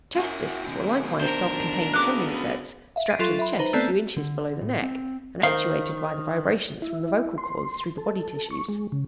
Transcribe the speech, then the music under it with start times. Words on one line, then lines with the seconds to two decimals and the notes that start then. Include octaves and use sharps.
The chest discs were likewise self-contained sending sets, strapped to the chest a few inches below the neck and actuated by the vibrations from the vocal cords through the body tissues.
0.16 F#2 E4 F#4
0.68 B2 D#3
1.19 D4 A#4 C5
1.94 D2 C#3 B3 D6 F#6
2.96 E5 F5
3.08 A6 B6 C7 D7 D#7
3.19 F#3 F4 A4 C6 A6
3.39 E5 B5
3.59 D#4 B4 C5 A#5
3.73 A3 B3 C4 A4 D5 A5
4.16 D3
4.61 A2
4.82 C4
5.43 D#3 A#4 C5 F5
6.82 E4
7.38 C6
7.98 A4
8.50 C#6
8.68 G#3
8.92 C#3